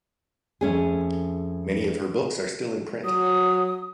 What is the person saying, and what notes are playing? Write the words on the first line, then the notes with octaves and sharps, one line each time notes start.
Many of her books are still in print.
F2 A3 C#4 G#4
F#3 D#6